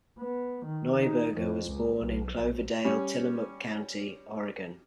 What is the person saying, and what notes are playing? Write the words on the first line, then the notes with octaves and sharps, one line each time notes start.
Neuberger was born in Cloverdale, Tillamook County, Oregon.
B3
D#3
D#4
F2
C#2
B1
A#1
G3 C#4